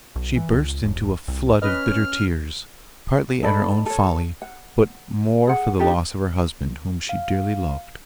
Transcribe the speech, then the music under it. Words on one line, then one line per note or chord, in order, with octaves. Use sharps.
She burst into a flood of bitter tears, partly at her own folly, but more for the loss of her husband, whom she dearly loved.
B1
E3
C#2
E1
C2
C#4 B4 D#5 F6
D#4 A4 D5 B5
A4 C#5
F#5
G#4 F#5
D4 D#4 G4 A4
F5